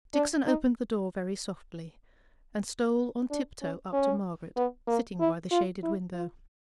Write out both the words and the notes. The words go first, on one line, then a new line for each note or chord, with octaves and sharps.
Dixon opened the door very softly, and stole on tiptoe up to Margaret, sitting by the shaded window.
D4
D#4
D4
C#4
C#4
B3
A#3
E4
F4
E4
F4